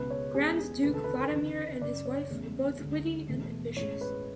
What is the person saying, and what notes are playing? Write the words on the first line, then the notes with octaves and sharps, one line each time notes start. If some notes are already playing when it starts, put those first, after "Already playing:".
Grand Duke Vladimir and his wife were both witty and ambitious.
Already playing: C#2 B2 G#3 B4
C#5
E2 C#3 G#3 G#4
G#4
E1 D2 C#3 G#3 B4
A4
B4
D2 C#3 E3
F#1 F#2 C#3 D5
C#5
E2 C#3 E3 A3
D2 D3 G#3
E1 E2 B2 A3
A1 A2 G#3 C#5
B4